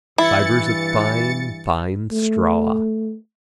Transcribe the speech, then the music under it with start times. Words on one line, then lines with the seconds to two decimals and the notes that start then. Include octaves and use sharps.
Fibres of fine fine straw.
0.18 G2 E3 E4 A6 C#7
2.12 A3